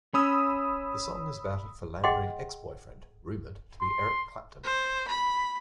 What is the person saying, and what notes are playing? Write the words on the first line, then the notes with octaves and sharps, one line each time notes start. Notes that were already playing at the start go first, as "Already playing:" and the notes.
The song is about a philandering ex-boyfriend, rumoured to be Eric Clapton.
C#4 B5 D#6 E6
G#4 D#5 F#5 G5 C6
C6
C5
B5